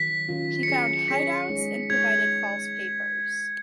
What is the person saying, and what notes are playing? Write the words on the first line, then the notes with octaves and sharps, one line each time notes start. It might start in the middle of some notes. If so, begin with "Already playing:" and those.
She found hideouts and provided false papers.
Already playing: D#3 F#3 B6
D#3 F#3 C#4 F4
C#7
F#3 C#4 G#4 C#5 B6
C#7
F#3 C#4 G#4 C#5 B6
G#3 D#4 G#4 C#5
G#3 D#4 G#4 C#5 G#6